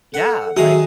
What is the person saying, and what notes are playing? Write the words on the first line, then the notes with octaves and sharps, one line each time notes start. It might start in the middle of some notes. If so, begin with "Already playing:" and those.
Yeah, like
A4 F#5
D#3 F#3 G#4 E5 D#6